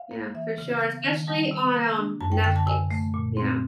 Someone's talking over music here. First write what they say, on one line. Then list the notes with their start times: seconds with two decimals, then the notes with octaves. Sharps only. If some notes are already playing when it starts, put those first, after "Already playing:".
Yeah, for sure, especially on, um, Netflix, yeah.
Already playing: F5
0.11 A#3
0.35 E3 E5
0.58 C#3
0.81 B3 F5
1.04 D#3
1.27 G3 A5
1.51 C3
1.74 A#3 A#5
1.97 D4
2.21 F#2 A5
2.32 G5
2.44 D3 G5
2.56 A5
2.67 C3 G#5
2.91 A3
3.14 A#2
3.37 C4